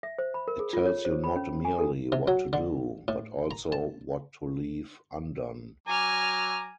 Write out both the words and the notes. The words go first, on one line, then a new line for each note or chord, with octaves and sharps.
It tells you not merely what to do, but also what to leave undone.
E5
C5
B5
A#4
G#4
F4
C#5
C5
B5
C#4
G#5
A4
C3
F#3
D3
A2
A#5
A5
F#3 G#5 A#5 D6 F6